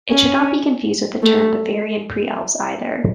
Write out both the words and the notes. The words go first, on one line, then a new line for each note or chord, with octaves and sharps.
It should not be confused with the term Bavarian Prealps either.
C#4
A3